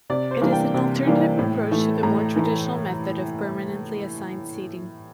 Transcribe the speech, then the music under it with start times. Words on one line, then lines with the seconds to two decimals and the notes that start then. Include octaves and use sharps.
It is an alternative approach to the more traditional method of permanently assigned seating.
0.10 C3 D5
0.31 C5
0.42 E3 G3 A#3 D4
0.53 G5
0.74 C3
1.07 E3 G3 A#3 D4
1.39 A2
1.71 E3 A3
2.03 A2 A#5
2.36 E3 A3